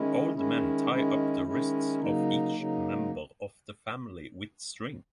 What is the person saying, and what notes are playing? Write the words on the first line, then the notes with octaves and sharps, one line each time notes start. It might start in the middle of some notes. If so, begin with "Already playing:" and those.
Old men tie up the wrists of each member of the family with string.
Already playing: D#3 G#3 C#4 E4
D#3 G#3 C#4 E4
D#3 G#3 C#4 E4
D#3 G#3 C#4 E4
C#3 F#3 A#3 D#4
C#3 F#3 A#3 D#4